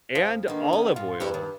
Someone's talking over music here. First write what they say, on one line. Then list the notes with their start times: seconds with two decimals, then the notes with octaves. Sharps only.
and olive oil
0.15 F2 F3
0.48 D3 D#3 A#3 B3
0.73 C#4
0.96 A2 F4
1.20 G2 E4 F#4 G4
1.34 D#3